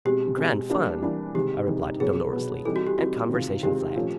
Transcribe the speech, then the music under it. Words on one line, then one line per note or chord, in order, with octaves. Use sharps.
"Grand fun!" I replied, dolorously; and conversation flagged.
B2 G#3 C4 G4
B2 G#3 C4
E3 G3 A#3 D4
E3 G3 A#3 D4
C3 D#3 G#3 G4
C3 D#3 G#3
B2 F#3 B3 G#4
B2 F#3 B3
E3 G3 C4 D#4 A4
F#4
G4
E3 G3 C4 D#4 F#4
C3 D#3 G#3 C4 F4
C3 D#3 G#3 C4 F4 G4
A#2 F3 A3 C#4